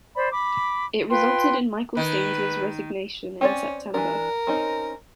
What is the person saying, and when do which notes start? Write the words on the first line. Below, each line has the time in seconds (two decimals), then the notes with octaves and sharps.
It resulted in Michael Staines' resignation in September.
0.15 C5 D5 B5
0.32 B5 D6
1.10 F4 B4 G5 C6
1.97 D#3 B4
3.41 C4 C#4 C#5 D5
3.94 E3 F3 D4 A#4
4.47 C4 C#4 D#4